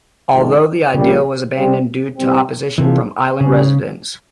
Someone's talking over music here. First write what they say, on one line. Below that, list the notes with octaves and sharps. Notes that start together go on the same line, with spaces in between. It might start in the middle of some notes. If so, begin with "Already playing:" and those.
Although, the idea was abandoned due to opposition from island residents.
G#1 G#2 F3
A#1 A#2 C#3 G3 C#4
C3 G3 C4
C2 C3 G3 C4
A#1 G#2 C3 E3 F3 G#3
G1 G2 C#3 G3 C#4